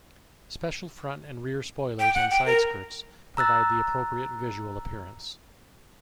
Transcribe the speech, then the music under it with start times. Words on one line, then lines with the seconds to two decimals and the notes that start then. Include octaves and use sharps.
Special front and rear spoilers and side skirts provide the appropriate visual appearance.
1.99 G5
2.15 F#5
2.30 G5
2.46 A#4
3.37 A#5 E6 F#6 A6